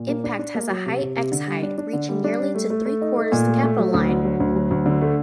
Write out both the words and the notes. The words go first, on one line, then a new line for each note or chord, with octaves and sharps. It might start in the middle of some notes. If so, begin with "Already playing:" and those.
Impact has a high x-height, reaching nearly to three-quarters the capital line.
Already playing: A#2
A#3
D4
D4
A#3
F#3
C3
C3
C3
D3
G3
D4
D4
D3
G3
D4
G3
A3
A3
A3
D#4
A3
A#2
A3
A3
F#3
D2
D3
F#3
D2
F#3
D2
D3
A3